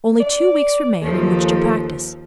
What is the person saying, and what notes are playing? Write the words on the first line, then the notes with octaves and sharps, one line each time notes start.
Only two weeks remained in which to practise.
D5
D#2 F3 A4